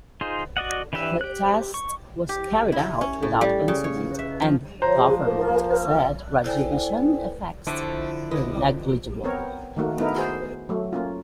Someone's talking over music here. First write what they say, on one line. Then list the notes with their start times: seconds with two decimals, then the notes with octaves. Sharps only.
The test was carried out without incident, and government said radiation effects were negligible.
0.21 D#4 F4 G#4 C5
0.57 F#4 D5 D#5 F#5
0.93 E3 D4 G4 B4 E5
1.21 G4 F#6
1.74 C#6
2.29 G4
2.72 E4
3.01 C#4
3.22 A2
3.41 G3
3.68 C#3
3.84 C#5
4.19 E5
4.42 F3
4.82 F3 C5 A#5
6.43 E4 A4 C5 D5 G5 G#5
7.67 D3 F3 A3 D4 E4 G4
8.31 B4 D#5
9.24 B3 C4 A#4 C#5
9.77 D#3 A3 A#3 F#4
9.98 A3 B3 D#4 E4 A#4
10.16 F#4 G#4 C5
10.69 F#3 A3
10.93 A#3 C#4 F4